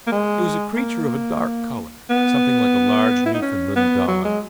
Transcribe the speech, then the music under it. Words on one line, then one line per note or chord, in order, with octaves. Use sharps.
It was a creature of a dark color, something like a large Newfoundland dog.
A#3
G#3
A#3
B3
E4
D#4
C#4
B3
F#3
G#3